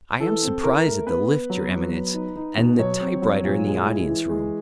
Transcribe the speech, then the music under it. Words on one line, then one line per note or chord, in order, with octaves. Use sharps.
"I am surprised at the lift, your Eminence, and the typewriter in the audience-room."
E3 A4
C4
E4 A#4
A3
B3 B4
B3
F#3
B3
F#3
D#4
D#4
B2
F#3 C#5
C4
F#3
A#2
G#3
E4
E3
G#3